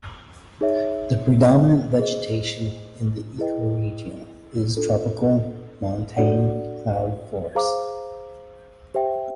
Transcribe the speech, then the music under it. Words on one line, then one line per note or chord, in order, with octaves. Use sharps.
The predominant vegetation in the ecoregion is tropical montane cloud forest.
D#4 G#4 C#5 E5
G#4 C5 D#5
E4 G#4 B4 D#5 G5
D4 F4 A4
D4 F#4 A4 D5 F#5
G#4 C5 F5 A#5 D6
G4 C5 E5 G5